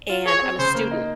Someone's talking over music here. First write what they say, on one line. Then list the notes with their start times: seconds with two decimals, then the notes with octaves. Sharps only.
and I'm a student.
0.09 F4
0.25 G#4 C#5
0.42 C4
0.59 C#3 C5
0.75 A#3
0.91 D#4